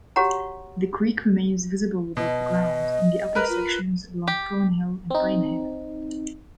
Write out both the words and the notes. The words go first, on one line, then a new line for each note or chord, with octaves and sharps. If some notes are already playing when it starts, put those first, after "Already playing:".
The creek remains visible above ground in the upper sections along Thornhill and Pinehaven.
F#4 G4 C#5 F#5 A#5
B2 D#5
A#4 B4 F#6
F4
G4
C4 D#4